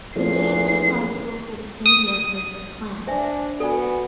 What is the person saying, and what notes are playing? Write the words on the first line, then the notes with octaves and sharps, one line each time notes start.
The genes responsible for the symbiosis with plants.
E2 F3 A3 A#3 C#4 C7
D#6
D4 C5 E5 G#5
B3 F#4 A4 D5 G#5